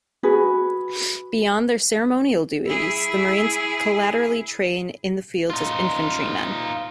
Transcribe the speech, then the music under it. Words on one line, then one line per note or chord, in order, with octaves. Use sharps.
Beyond their ceremonial duties, the Marines collaterally train in the field as infantrymen.
F#4 G#4 B4
E4 G#4
D#4 F4